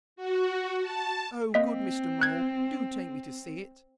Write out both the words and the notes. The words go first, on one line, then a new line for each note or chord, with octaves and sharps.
'Oh! good Mr. Mole, do take me to see it!'
F#4
A5
A#3 C4 D#5 B6
F#6 G#6